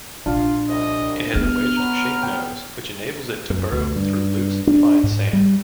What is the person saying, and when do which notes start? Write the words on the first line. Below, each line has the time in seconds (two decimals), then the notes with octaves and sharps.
It has a wedged-shaped nose which enables it to burrow through loose, fine sand.
0.26 A#1 D4 F4
0.69 C2 D#5
1.34 G#3 B3 F6
1.77 F#3 B4 A#5
2.23 G5
3.50 F#2
3.72 D2
3.95 G2
4.67 D4
5.03 G#2
5.33 G3